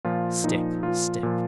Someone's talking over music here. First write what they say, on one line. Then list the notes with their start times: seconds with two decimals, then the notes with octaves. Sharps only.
'Stick, stick!
0.05 A#2 F3 F4
0.44 A#2 F3 D#4
0.83 A#2 F3 F4
1.23 A#2 F3